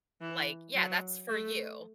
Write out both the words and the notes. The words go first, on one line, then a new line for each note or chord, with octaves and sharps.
like yeah, that's for you.
E3
F#3
A3